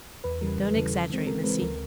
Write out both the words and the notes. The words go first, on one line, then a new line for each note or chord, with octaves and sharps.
Don't exaggerate, missy.
E2 B4
C#3 E3 G3 A#4
E2
C#3 E3 G3 A4
C#3
E3 G#3 C4
C#3 A#4
E3 G#3 C4 B4
D2 A#4